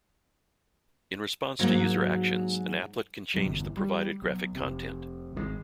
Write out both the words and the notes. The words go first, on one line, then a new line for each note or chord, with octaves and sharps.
In response to user actions, an applet can change the provided graphic content.
G#2 F#3 A#3
G#2 B2 F#3 G3
G1 E2
G3
B1
F1 C3
G#1 D3 G#3